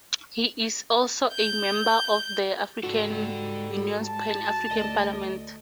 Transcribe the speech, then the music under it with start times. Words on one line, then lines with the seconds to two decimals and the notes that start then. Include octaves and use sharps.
He is also a member of the African Union's Pan-African Parliament.
1.34 G6
2.83 G#2 G3 F#4 A4 D5 F#5
4.03 A5
4.71 D2 D5 D#5